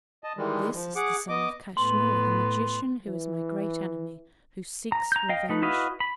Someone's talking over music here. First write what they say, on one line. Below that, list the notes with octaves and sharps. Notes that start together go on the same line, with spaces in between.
This is the son of Kaschnur, the magician, who is my great enemy, who seeks revenge.
D#5 A5
D#3 E3 G3 G#3
F3
G#4 F#5 D6
B3 D#5 D6
A2 B3 C6
E3
A#5
A#5 G6
D#5 F5 G5
A3 D#4 B4
E4 F#4 B4 D#5 F5
B5